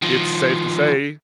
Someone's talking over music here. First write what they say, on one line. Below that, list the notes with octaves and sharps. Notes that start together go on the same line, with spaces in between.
it's safe to say,
D#3 F3